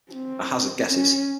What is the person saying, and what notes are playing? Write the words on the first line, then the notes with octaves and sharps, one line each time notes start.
I hazard guesses.
C4
C#4